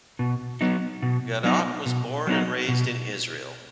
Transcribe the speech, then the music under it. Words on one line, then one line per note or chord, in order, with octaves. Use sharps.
Gadot was born and raised in Israel.
B2
F#3 B3 D#4
B2
F#3 B3 D#4
B2
F#3 B3 D#4
B2